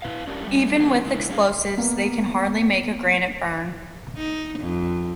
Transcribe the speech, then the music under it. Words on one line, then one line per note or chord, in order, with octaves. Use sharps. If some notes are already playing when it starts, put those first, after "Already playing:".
Even with explosives, they can hardly make a granite burn.
E4 B4 E5 F5
C#4 D4 G4 A#4
G3 A3
D#3 F#3 G#3 A#3 B3 D#4
C#3 G#3 E4 A#4
G3 C#4 G#4 F5
A#3 B3
D#4
F2